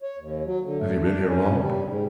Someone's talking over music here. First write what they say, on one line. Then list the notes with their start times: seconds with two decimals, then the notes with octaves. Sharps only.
"Have you been here long?"
0.02 C#5
0.17 D#2
0.45 F#3
0.63 D3
0.78 A3
1.03 D4
1.27 C#4
1.60 G3
1.85 G#2